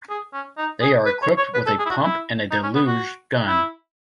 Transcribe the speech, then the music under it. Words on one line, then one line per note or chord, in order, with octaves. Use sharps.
They are equipped with a pump and a deluge gun.
G#4
C#4
D#4
G#4
B4
C#5
C#5
B4
A4
G#4
E4
F#4
E4
D#4
C#4
B3
F#4
E4